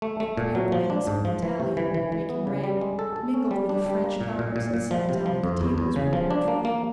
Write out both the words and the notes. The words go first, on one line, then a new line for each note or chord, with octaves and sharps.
The Preobrazhensk battalion, breaking rank, mingled with the French Guards and sat down at the tables prepared for them.
A3
A3
A#2
F#3
F3
D4
G#2
F3
E3
C3
E3
E3
E3
B3
C#3
G3
G#3
A4
A4
C#4
G3
D4
G3
A#3
A#2
A#2
A#2
A#2
F3
C3
F3
F2
E2
E2
C#3
F3
D4
A#3
A#3